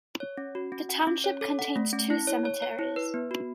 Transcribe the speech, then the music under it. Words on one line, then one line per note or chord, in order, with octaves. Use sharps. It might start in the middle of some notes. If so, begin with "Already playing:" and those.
The township contains two cemeteries.
C#5
C#4
F#4
C#4
F#5
C#4
C#5
A4
F#5
A3
C#4
E4
C#5
C#5
C#5
E4
B4
B3
F#4